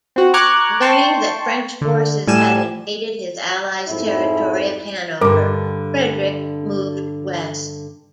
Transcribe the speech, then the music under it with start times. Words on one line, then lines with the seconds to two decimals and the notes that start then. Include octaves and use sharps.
Learning that French forces had invaded his ally's territory of Hanover, Frederick moved west.
0.16 C4 F#4
0.34 A#5 C#6 D6 F6 F#6 G#6
0.81 G5 A5 C6 C#6
1.81 D3
2.27 A2 G3 G#5 E7
3.88 F2 G#2 E4
5.21 G2 D3 A#4 D6